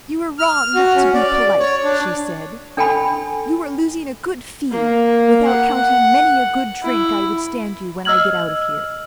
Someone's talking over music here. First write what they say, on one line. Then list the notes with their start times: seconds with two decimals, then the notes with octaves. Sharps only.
"You are wrong not to be polite," she said; "you are losing a good fee, without counting many a good drink I would stand you when I get out of here."
0.39 F6
0.75 F#4
0.95 C#4
1.14 D5
1.60 C#5
1.84 D4
2.77 D4 A4 G5 G#5 B5
4.72 A#3
5.47 F#5
6.83 E4
8.05 D#5 E6 F6 G#6 F#7